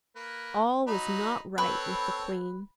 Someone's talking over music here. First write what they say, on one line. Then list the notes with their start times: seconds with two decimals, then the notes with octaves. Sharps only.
All was not right with the Queen.
0.16 A#3 B4
0.87 F#3 D#4 B5
1.58 C4 A4 B4 C#5